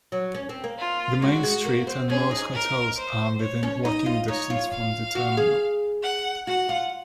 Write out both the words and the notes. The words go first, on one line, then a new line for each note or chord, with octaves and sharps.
The main street and most hotels are within walking distance from the terminal.
F#3
C#4
C4
A#3
F4
G#3 F#4
G#3
A#3
C4
C#4 G#4
D#4
A#4
C5
C#5
C#4
D#4 D#5
F4
D#4 C#5
F4
F5
F#4
G#4
F#5
F#4 F#5
F4